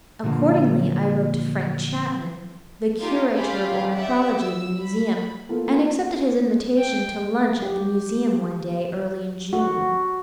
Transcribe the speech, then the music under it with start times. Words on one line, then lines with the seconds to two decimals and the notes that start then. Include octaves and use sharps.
Accordingly, I wrote to Frank Chapman, the curator of ornithology of the museum, and accepted his invitation to lunch at the museum one day early in June.
0.24 A#2 D3 F3 G3 A#3
2.99 D#4 F4 G4 A4
3.31 C#4 F4 G4 G#4 F5 B5
3.94 G4 D5 E5 F#5 G5
4.38 E6
4.78 B5
5.49 A#3 B3 F4 A4
6.78 G5
7.62 G4
9.53 F#4